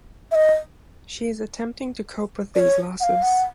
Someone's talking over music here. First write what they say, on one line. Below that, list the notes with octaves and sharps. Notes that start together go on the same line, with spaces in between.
She is attempting to cope with these losses.
E5
D#5
D5
C#5
F#5
F5
F#5